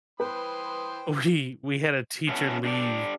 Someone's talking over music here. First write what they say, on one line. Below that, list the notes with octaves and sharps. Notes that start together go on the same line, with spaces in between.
We we had a teacher leave,
E3 B4 C5 G5 C6 D#6
B3 C#4 E4 F#4 A4
D4 G4 A4 D5